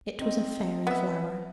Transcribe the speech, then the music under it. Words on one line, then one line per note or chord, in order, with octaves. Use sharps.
It was a faery flower.
C4 D#4 D#5
B3 E5